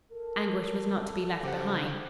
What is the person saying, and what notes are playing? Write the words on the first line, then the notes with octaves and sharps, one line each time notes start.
Anguish was not to be left behind.
A4 A#4
C#3 G4 C5 F#5